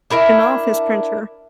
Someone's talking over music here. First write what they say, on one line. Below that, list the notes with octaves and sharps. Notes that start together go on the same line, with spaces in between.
an office printer.
D4 E4 A#4 E5